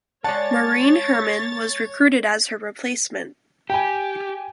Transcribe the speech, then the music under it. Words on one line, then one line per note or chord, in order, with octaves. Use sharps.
Maureen Herman was recruited as her replacement.
G#3 C#5 D5 F#5 A5 A6
G4 G5 G#5